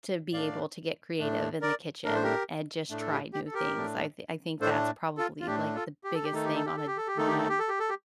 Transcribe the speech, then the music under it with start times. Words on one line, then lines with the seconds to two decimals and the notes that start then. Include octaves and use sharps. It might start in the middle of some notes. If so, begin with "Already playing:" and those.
to be able to get creative in the kitchen and just try new things, I've I think that's probably, like, the biggest thing on a on a
0.33 A2 A3 D4 D5 F5
1.19 A2 A3 D4
1.61 A#4 D5
2.05 A2 A3 D4 A#4
2.14 C5
2.23 G4 A#4
2.90 A2 A3 D4
3.00 A4
3.11 G4
3.33 G4
3.47 A4
3.54 G4 A#4
3.75 A2 A3 D4
4.61 A2 A3 D4 A4 C5
5.18 F4 A4
5.41 F4
5.47 A2 A3 D4 G4
5.75 F4 A4
6.04 G4
6.14 A4
6.24 G4
6.32 D#3 A3 D#4 A4
6.45 G4
6.55 A4
6.66 G4
6.77 A4
6.87 G4
6.97 A4
7.07 G4
7.17 D#3 A3 D#4 A4
7.28 G4
7.38 A4
7.49 G4
7.59 A4
7.69 G4
7.80 A4
7.89 G4